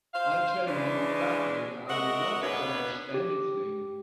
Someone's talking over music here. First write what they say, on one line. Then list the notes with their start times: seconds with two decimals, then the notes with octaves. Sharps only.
I tell you flatly I will not promise anything.
0.14 C5 F5
0.67 C#3 E3 G#3 C#4 D4
1.89 G#3 F#4 A#4 D#5 E5 F#5
2.42 D#2 B2 B3 D4 B4 C#5
3.14 G4